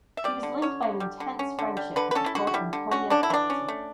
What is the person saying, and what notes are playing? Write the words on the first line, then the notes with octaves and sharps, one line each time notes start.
He was linked by an intense friendship with the poet Antonia Pozzi.
E5
G3 D5
D3
C#4 C#5
D3
G3
D3
C#4
D3
G3
D3 B4
B4
C#4 A4
E4
D3 F#4
F#4
G3 E4
D3
C#4 F#4
D3 D4
E4
E3 D4
C#4
A3